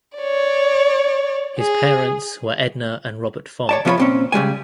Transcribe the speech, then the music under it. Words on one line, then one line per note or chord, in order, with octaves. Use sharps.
His parents were Edna and Robert Fong.
C#5 D5
G#4
C#5 D5 A5
C3 F3 E4 F4 C#5 B5
A#2 C4 C#4
C#3 G3 G#3 G#5